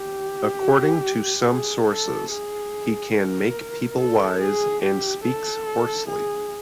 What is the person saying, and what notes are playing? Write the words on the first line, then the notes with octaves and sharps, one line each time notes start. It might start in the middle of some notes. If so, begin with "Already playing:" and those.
According to some sources, he can make people wise, and speaks hoarsely.
Already playing: G4
G#4
A4
G#4
A#4
A4
G#4
G4
A4
G#4